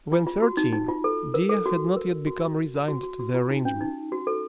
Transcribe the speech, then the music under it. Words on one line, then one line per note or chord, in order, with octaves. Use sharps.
When thirteen, Dea had not yet become resigned to the arrangement.
F4
F4
F#4
D#4
D#4
F4
A4
A#4
A4
F#4
A#4
F#4
F#4
F#4
F#4
F4
D#4
C#4
D#4
F#4
A4